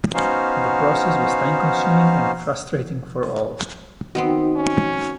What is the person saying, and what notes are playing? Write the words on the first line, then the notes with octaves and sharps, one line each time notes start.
The process was time consuming and frustrating for all.
B3 C#4 D#4 F#4 C5 F5
D#3 B3 C4 D#4 F#4
C#4